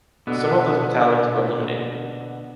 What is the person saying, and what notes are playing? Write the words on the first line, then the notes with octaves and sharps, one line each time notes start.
Some of those battalions were eliminated.
B2 D3 B3